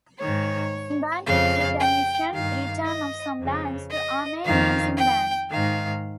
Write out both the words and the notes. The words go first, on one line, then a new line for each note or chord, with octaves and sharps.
The Van Project envisioned the return of some lands to Armenians in Van.
G#2 D#3 C#5
F2 C#3 F5
G5
G2 D#3 F5
D#5
F2 C#3
D#5
F2 D#3 F5
G5
G#2 D#3 F5